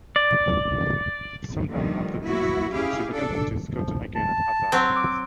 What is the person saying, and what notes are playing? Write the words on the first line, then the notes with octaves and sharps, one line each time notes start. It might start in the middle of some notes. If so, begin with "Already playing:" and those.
Some time after this she began to teach sculpture again at Azad University.
D5
A#2 D3 D#3 F3 G3 A3
F#3 A#3 B3 E4 F#4
C#4 E4 G4 G#4 F5
D4 A4
F3
A5
F#3 C4
D6